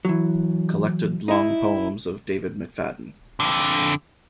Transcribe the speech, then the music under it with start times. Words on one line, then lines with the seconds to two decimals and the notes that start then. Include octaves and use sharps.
Collected Long Poems of David McFadden.
0.05 E3 F#3
1.28 D#4 E4
3.40 F2 D3